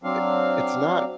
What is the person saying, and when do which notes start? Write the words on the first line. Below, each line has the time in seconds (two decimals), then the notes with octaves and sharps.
i it's not
0.04 F#3 C4 D4 F5